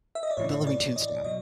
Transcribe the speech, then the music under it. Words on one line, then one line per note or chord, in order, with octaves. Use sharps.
The Living Tombstone.
E5
D#5
D5
A2 E3 C#5
D5
D#5
B2 F#3 D#5